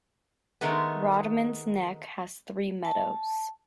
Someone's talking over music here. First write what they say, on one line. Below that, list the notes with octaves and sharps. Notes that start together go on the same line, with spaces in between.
Rodman's Neck has three meadows.
D#3 G#3 A3 B3
A5